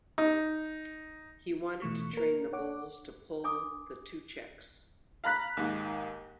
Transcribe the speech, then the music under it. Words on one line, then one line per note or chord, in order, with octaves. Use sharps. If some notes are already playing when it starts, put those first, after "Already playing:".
He wanted to train the bulls to pull the two checks.
D#4
B2 E3 A3 C#6
A#3 A#4
C#5 F#5 D6
D4 G#5 D6 D#6
F5 A#5 B5 F#6 B6
D#2 G#2